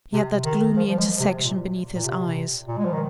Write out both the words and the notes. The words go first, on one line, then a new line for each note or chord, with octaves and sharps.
He had that gloomy intersection beneath his eyes.
C3
D#3
F3
F3
G#3
C3
A#2
A#2
C3
A#2
G#3
F3
D#3